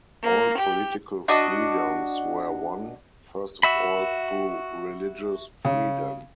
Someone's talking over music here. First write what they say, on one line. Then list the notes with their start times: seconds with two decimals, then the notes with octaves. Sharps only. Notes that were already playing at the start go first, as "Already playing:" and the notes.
All political freedoms were won, first of all, through religious freedom.
0.23 A#3
0.58 G4
1.28 D4 F#4 D#5
3.63 F#4 E5 B5
5.65 C#3